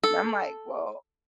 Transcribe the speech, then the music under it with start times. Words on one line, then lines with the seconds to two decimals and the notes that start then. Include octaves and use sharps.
and I'm like, "Well,
0.04 A4